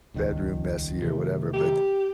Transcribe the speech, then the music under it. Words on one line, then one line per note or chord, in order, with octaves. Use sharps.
bedroom messy or whatever, but
D#1 C#2 D#3
C3 D#3 A3
G4